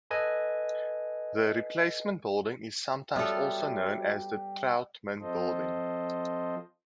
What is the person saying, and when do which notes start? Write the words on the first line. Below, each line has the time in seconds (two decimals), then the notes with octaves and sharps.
The replacement building is sometimes also known as the Trautman Building.
0.11 A4 B4 D#5 G#5
3.16 G3 B3 F4 F#4 A4 C#5 D5 E5
5.21 F3 C4 F4 A4 C5 D#5